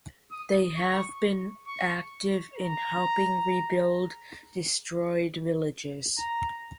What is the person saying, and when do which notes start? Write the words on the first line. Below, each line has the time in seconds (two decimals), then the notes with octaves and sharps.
They have been active in helping rebuild destroyed villages.
0.31 D#6
0.76 C#6
1.67 C#6
2.57 A#5
6.18 A#5